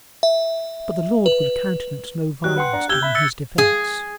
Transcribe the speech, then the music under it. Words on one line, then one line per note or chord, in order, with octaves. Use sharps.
But the Lord would countenance no violence done in his defence.
E5
B4
F#3 G3 F#6
B4 F#5 G5 C6
D4 A#5
G4 E6 G6 G#6 G7
E5 B5
E6 A6 C#7
G#4